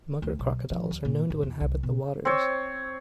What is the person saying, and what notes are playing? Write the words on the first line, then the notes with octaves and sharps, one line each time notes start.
Mugger crocodiles are known to inhabit the waters.
D2
B1
F3
D#2
A#2
A1
E2
C2
B2
C4 C#5